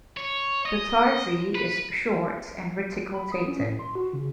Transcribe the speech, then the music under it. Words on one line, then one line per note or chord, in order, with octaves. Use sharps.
The tarsi is short and reticultated.
C#5
D#5
B4
B5
D#6
C#4
A2
C6
F#4
C#3